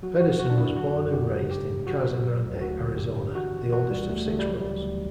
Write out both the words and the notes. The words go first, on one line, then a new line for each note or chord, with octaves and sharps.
Pederson was born and raised in Casa Grande, Arizona, the oldest of six brothers.
F#3 F#4
E2 F#4
E2 F#4
D4
D3 E4
F#3 F#4
F#2
F#2 G4
C#3
G2 G4
G2
F#3 F#4
F#3
F#3
D2
D2 F#4
D3
G2 G4
G2
E3 F#4
E3
E3 F#4
D2 G3
D2 A3
C#3 A3
G3
E3 F#3
D2 G3
D2